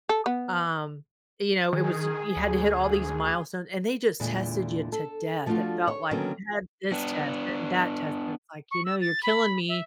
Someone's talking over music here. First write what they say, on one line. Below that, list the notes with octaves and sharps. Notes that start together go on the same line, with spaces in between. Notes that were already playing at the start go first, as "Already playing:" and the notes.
um, you know, it was y you had to hit all these milestones and they just tested you to death. It felt like you had this test and that test, and it's like, you know, you're killing me
A4
B3
D#3 G#4
D2
D2
E2 A#2 D3 G#3
A4
F3 A3 B3 D4 F4 F#4
C#5
D3 D#3 F#3 A#3 B3 C#4
B3 D4
C#6
E6
A6
B5
E5